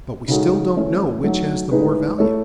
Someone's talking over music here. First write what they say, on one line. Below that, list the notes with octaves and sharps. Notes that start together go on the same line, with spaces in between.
But we still don't know which has the more value.
C#3 G#3 D#4 F#4 A4
E3 A3 C#4
F#3 A3 D#4 F#4
A2 G#3 D#4 G#4 B4
A3 E4 A4 C#5